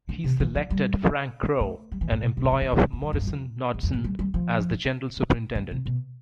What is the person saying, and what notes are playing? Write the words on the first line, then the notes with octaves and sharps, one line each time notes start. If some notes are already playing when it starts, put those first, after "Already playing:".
He selected Frank Crowe, an employee of Morrison-Knudsen as the General Superintendent.
D3
C3
E3
F3
G3
A3
G3
E3
A2
B2
C3
D3
E3
D3
C3
A2
G2
F2
G2
F2
E2
F2
A2
G3
G3
F3
D3
C3
B2